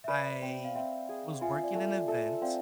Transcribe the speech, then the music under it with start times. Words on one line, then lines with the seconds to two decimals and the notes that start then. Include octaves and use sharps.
I was working an event,
0.04 E5
0.08 B4 D5
0.42 C4
0.65 F5
0.75 C4 E5
1.09 G#4
1.41 F4 E5 G#5
1.63 D5
1.75 A3 E5
1.92 D5
2.08 A4 E5
2.42 C4 D5 F5